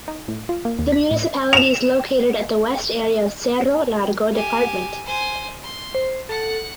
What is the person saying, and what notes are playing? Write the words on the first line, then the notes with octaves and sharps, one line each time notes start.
The municipality is located at the west area of Cerro Largo Department.
D#4
A2
F4
A#3
D#2
B6
A2
E7 F7
G4 G#5
C5 G#5
C6
C5
A4 F#5 F#6